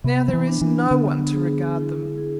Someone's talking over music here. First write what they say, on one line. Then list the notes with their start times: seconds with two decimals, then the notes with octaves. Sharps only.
Now there is no one to regard them.
0.04 C3 B3
0.28 F3
0.33 E3
0.47 D4
0.61 E3
0.91 D3 B3
1.32 G#4
1.76 E4
2.18 G#4